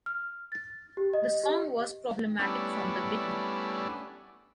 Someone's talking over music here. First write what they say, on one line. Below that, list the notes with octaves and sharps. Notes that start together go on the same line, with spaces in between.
The song was problematic from the beginning.
F6
A6
G4
D#5
G4
G3 A3 B3 C#4 D4 E4